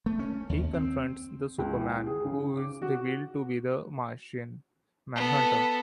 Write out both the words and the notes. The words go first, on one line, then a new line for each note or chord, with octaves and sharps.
He confronts the "Superman", who is revealed to be the Martian Manhunter.
A3
C#4
D#2
C4
C#2
E3
G5
G#4
C#3
D6
F#4
B3 A4